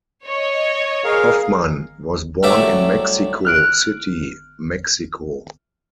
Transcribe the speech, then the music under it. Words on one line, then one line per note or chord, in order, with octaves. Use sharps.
Hofmann was born in Mexico City, Mexico.
C#5 D#5
G#4 A#4 F5
C2 F#3 A3 E5 A5 D6
F6 F#6 D7